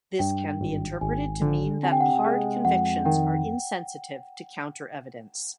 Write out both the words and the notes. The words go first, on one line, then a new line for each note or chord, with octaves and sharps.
This can be interpreted to mean that hard convictions are insensitive to counter-evidence.
G2 G5
G#1
G#1 G#5
D3
C3 G#5
G5
F#5
G5
G#3
F2 F#5
D#3 G5